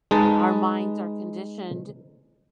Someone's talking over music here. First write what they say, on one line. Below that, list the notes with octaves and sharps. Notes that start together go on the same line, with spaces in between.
Our minds are conditioned
G#3 D#4 B4 A5